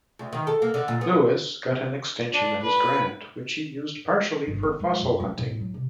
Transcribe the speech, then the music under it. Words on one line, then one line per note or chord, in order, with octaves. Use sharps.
Louis got an extension of his grant, which he used partially for fossil-hunting.
D2
D#3
A4
A#3
D3
A#2
B3
D4
B4
G1
B3
G#3
F#2
A3
A2
F#3
C3